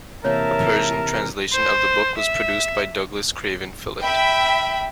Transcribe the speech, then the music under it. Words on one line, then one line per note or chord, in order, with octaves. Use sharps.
A Persian translation of the book was produced by Douglas Craven Phillott.
C3 E3 A#3 A#4 C#5 E5 A5
C5
E5
E5 G5 B5